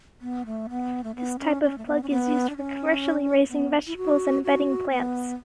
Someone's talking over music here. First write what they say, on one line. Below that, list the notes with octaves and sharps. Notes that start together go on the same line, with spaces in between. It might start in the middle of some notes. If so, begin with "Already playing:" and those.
This type of plug is used for commercially raising vegetables and bedding plants.
B3
A3
B3
A3
B3
C#4
C#4
A3
B3
C#4
B3
D4
C#4
B3
E4
F#4
F#4
B3